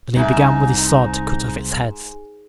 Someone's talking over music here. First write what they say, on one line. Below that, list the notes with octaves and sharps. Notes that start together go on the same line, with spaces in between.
Then he began with his sword to cut off its heads.
C2 G#2 D#4 E4 G#5